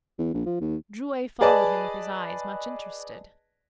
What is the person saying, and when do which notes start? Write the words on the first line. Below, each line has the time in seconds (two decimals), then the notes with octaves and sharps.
Drouet followed him with his eyes, much interested.
0.19 E2
0.34 A#1
0.46 F3
0.61 D#2
1.41 G#4 B4 D5 D#5 A5 B5